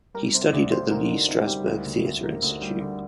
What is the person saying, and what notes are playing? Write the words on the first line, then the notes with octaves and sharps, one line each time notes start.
He studied at the Lee Strasberg Theater Institute.
G3 A#4
C3 C5
D2 D5
D2 C5
D2 A#4
D2 D#4
C3 D#4
G3 G4
D2
D2
D2
A#3
D2
G3
D3